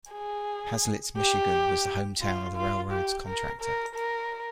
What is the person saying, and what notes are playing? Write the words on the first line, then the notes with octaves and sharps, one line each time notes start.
Haslett, Michigan was the hometown of the railroad's contractor.
G#4
G4
F4
F4
G4
A#4
A#4
A#4